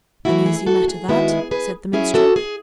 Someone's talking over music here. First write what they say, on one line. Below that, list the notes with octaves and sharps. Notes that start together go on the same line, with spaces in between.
"An easy matter that," said the minstrel.
E3 A3 E4 F#4
G#4
F#4 A4
G#4
D#3 G#3 B3 E4 F#4
G#4
G#4 B4
F#3 C#4 E4 G#4
F#4 A4
G#4